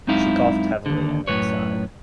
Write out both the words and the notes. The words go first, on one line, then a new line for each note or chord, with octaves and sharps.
She coughed heavily and then sighed.
F#2 G#3 C4 D#4 E4 F5
D#2 D3
F#2 A2 D#3 B4 C#5